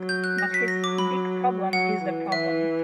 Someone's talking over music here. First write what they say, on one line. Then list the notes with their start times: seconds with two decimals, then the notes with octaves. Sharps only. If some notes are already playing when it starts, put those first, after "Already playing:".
But his big problem is the problem.
Already playing: F#3
0.09 G6
0.24 F#6
0.38 A#6
0.54 F#3 B6
0.68 A#6
0.84 D6
0.98 B5
1.73 F#3 F#5
2.02 E3
2.32 E3 E5